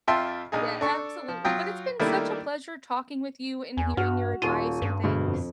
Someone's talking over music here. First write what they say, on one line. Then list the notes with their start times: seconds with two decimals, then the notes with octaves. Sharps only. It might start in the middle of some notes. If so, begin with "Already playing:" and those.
Yeah, absolutely, but it's been such a pleasure talking with you and hearing your advice and things.
0.07 F2 F4 E5 G5 A5 C6
0.52 A#1 D#4 G#4
0.81 D4 A4 C#6
1.28 F3
1.45 F#3 F4 G5 D#6
2.00 D#3 G3 A3 A#3 D4 E4
3.77 E2 G#5
3.97 G2 F#4 F6
4.42 D#1 F4 D#7
4.82 G2
5.04 D2 B2 G#3
5.27 F2